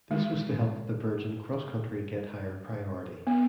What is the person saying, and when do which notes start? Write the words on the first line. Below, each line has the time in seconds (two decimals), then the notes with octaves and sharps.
This was to help the Virgin CrossCountry get higher priority.
0.11 G#3
3.27 B3